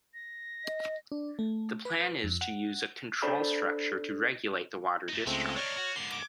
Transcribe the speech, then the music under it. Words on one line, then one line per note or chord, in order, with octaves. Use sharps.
The plan is to use a control structure to regulate the water discharge.
A#6
D#5
D4
A3
B4
F2
F#5
D4 A4 C5 D5 B5
A3 D#4
C#2 G#3 A3 C4
D4 D#4 C#5 F6
F#4
G#2 D3 C7
D6